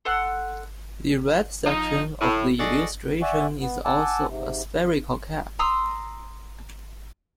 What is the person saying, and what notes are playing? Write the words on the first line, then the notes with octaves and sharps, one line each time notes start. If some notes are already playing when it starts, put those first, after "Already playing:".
The red section of the illustration is also a spherical cap.
A4 F#5 C6 F#6
F3 D#4
A2
F#4 G#4 A4 D5 D#5 F#5
D5 E5 F#5 G#5 C#6
B3
F#5 G#5 A5 D6 E6
G#2 C3
A#5 C6 D#6 E6